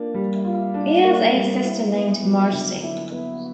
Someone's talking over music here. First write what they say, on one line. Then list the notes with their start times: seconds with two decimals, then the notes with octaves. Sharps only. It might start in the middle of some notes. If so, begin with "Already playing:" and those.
He has a sister named Marci.
Already playing: A#3 D4 F4
0.14 G3
0.45 F4
0.74 D4
1.04 A#3
1.34 G3
1.64 E4
1.93 B3
2.22 F#3
2.52 D3
2.83 E4
3.12 B3